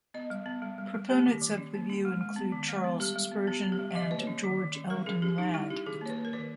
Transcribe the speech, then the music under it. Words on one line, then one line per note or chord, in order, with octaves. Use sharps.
Proponents of the view include Charles Spurgeon and George Eldon Ladd.
B3 D#5
G3
B3
G3
G3
G3
A#3 G4
D#3
D#3
C#4
A#3
C#4
G#3
G#3
B3
D#3
G#3
B3
G3 G4
G3
B3
B3 G4
B3
G4
G3
E5
D#3 D#5
A#3 B4
C#5
C#4
D#3
D#3
C#4
G3 A#4
C#4 G#4
C#4 G4
C#4 D#4
G3 E4
C#4 G4
D#3 G#4
A#3 C#5
B4
A#3
A#4
D#3 B4